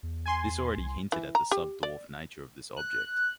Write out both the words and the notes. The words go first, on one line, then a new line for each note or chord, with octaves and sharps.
This already hinted at the subdwarf nature of this object.
E2
G#5 C6
C2
E3
A#5
G4
D5
F#6